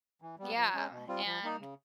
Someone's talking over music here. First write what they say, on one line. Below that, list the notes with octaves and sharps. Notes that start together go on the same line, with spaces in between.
yeah, and
E3
G3 B3
F3
G#3 C#4
B2
G3 C4 F4
F3
A#3 D#4
C#3